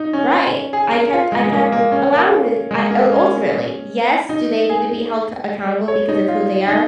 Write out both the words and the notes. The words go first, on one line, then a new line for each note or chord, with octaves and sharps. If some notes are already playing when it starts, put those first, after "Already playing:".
Right. I kept I kept allowing the I, ul ultimately, yes, do they need to be held c accountable because of who they are,
Already playing: D#4
C#4
G#4
A#4
F4
G#3
G#3
A#3
A#3
C#4
A#3
G#3
A#3
C#4
D#4
G#4
C#5
D#4
F4
D#4